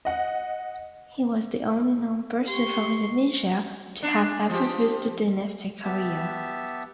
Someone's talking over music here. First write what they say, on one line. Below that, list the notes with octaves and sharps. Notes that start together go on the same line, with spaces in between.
He was the only known person from Indonesia to have ever visited dynastic Korea.
D#5 F#5
G4 C6 C#6
D4
F3 G4
B3 G4 E5 A5